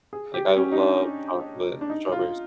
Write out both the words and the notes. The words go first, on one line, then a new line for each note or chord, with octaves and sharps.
Like, I love chocolate strawberries.
G#4
G4
C#4
D#4
D4
D4
D#4
F4